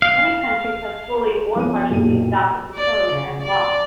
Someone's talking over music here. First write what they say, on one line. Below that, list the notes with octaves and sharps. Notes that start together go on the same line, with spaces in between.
Many countries have fully or partially adopted the Code as law.
F5
F3 B3 C#4 D#7
F#1 B1 A#2 F#3 G4 D#7
D5
C#3
D5